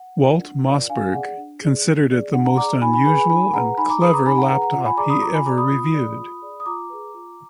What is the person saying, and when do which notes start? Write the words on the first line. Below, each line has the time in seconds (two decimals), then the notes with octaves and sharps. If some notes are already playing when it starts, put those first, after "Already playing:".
Walt Mossberg considered it the most unusual and clever laptop he ever reviewed.
Already playing: F#5
0.17 F4 A#4 D5
0.41 D4
0.65 F4 A#4 D5
0.89 D4 F5 G#5
1.13 G#4 D5 F#5
1.37 D4
1.61 G#4 D5
1.86 D4
2.10 G#4 D5
2.34 D4 F#5
2.45 F#5 A#5
2.58 G#4 D5 A#5 D6
2.82 D#4 G#5 B5
2.93 G#5 B5
3.06 G#4 B4 G#5 B5
3.17 G#5 B5
3.30 D#4 G#5 B5
3.54 G#4 B4 F#5 A#5
3.78 D#4 G#5 B5
3.89 A#5 D6
4.02 G#4 B4 B5 D#6
4.13 A#5 D6
4.26 D#4 G#5 B5
4.38 F#5 A#5
4.49 G#4 B4 F#5 A#5
4.62 F#5 A#5
4.74 F4 F#5
4.86 G#5 B5
4.97 G#4 D5 A#5 D6
5.10 B5 D#6
5.22 F4 A#5 D6
5.34 G#5 B5
5.46 G#4 D5 A#5 D6
5.58 B5 D#6
5.70 F4
5.94 G#4 D5
6.18 F4
6.42 G#4 D5
6.60 D#6
6.66 F4 A#5 D6
6.90 G#4 B4
7.14 F4